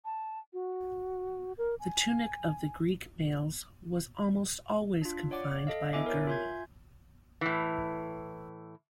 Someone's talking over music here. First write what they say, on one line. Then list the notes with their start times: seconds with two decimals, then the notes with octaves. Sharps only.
The tunic of the Greek males was almost always confined by a girdle.
0.05 A5
0.53 F#4
1.58 A#4
1.80 G#5
5.02 D4 F4
5.31 C#5 D5 F#5 D6
5.67 A4 D#5 F5
5.93 B3 E4 E5 G#5 D6
6.06 A#4 C#5 G#5
6.27 F4 E5 G#5 C6 G6 G#6
7.41 A2 E3